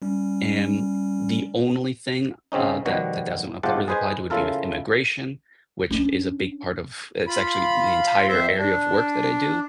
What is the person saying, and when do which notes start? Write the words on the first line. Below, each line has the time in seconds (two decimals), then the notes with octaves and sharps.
And the only thing, uh, that that doesn't app really apply to would be with immigration, which is a big part of It's actually the entire area of work that I do,
0.02 G3 C#4
2.52 C#3 C4 C#4 D#4
2.86 B2 D#3 F3 G3 F#4
3.63 G1 G#2 F4 G4 F#5 A5
3.88 G#4 B4 C5 D#5 G#5
4.30 C#3 E4 F4 A4 A#4
5.91 C#4 D4
7.27 F4 B5
8.28 F2 C5 E5
8.58 D4